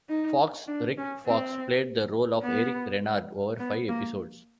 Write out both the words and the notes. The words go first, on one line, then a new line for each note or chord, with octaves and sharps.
Fox, Rick Fox played the role of Eric Renard over five episodes.
D#4
D4
C#4
C4
B3
B3
A#3